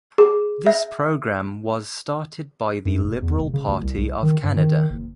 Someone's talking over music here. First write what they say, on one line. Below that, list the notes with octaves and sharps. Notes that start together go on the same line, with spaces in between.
This program was started by the Liberal Party of Canada.
G#4
E5
F#2
F1
E2
F1
C#3
D2
C2
C2
D#3
G2
D#3
F#1